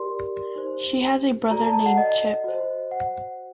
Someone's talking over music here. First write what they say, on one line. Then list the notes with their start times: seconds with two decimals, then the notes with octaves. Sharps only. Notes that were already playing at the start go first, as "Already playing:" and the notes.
She has a brother named Chip.
Already playing: G4 A#4 D5 C6
0.56 D#4 G4 C5
1.51 F#4 A4 D5 A#5
1.61 A5
1.73 A5
1.86 F#5
1.98 D#5
2.44 F#4 C5
2.91 F#5